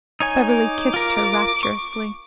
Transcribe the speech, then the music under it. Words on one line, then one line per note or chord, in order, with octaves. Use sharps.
Beverly kissed her rapturously.
D#4 C#5 G#5
D6
F4 A#4
C#6